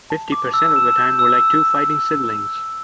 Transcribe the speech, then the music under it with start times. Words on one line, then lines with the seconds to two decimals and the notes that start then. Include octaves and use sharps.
Fifty percent of the time we're like two fighting siblings.
0.10 A5
0.32 D6
0.54 E6
0.76 E7
0.98 G6
1.19 E6